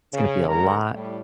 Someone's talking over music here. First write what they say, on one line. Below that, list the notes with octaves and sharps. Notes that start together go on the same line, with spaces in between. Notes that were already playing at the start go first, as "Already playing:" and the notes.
it's gonna be a lot
C#3
D3 G#3 B3 C#4 A#4 A#5
A2 G3